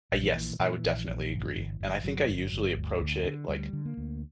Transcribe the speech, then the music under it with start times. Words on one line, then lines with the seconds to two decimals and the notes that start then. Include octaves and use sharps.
a yes, I would definitely agree. And I think I usually approach it, like,
0.12 A#1
0.23 E3
0.35 A#2
0.60 A#2 E3
0.84 A#1
1.08 A#1
1.32 G1
1.56 G1
1.80 G1
2.04 G1 F#3
2.29 G1
2.52 G1
2.77 D2
3.00 D2
3.25 D3
3.48 D2 G3
3.73 D3
3.85 A#3
3.97 D2